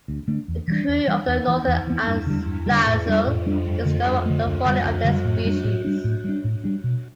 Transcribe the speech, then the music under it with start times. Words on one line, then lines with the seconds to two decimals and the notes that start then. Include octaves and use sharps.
The crew of the "Northern" and Lieserl discover the folly of their species.
0.08 D2
0.28 D3 A3 D4
0.48 E2
0.68 E3 G3 D4
0.88 E2
1.08 E3 G3 D4
1.27 E2
1.47 E3 B3
1.68 E2
1.87 E3 B3
2.07 G2
2.27 D3 G3
2.46 G2
2.66 D3 G3
2.87 A2
3.06 G3 D4
3.26 A2
3.46 G3 D4
3.66 G2
3.85 D3 A3
4.06 G2
4.26 D3 A3
4.45 D2
4.65 D3 G3
4.85 D2
5.04 D3 G3
5.25 A2
5.45 G3 D4
5.64 A2
5.84 G3 D4
6.04 A2
6.24 G3 D4
6.44 A2
6.64 G3 D4
6.84 B2